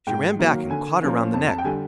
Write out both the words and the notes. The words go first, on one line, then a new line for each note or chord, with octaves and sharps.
She ran back, and caught her round the neck.
G#2 G5
D#3 F#3 A#3
D3 G#5
F3 A#3 C#4
F2 A5
A5
G5
D3 G3 G#5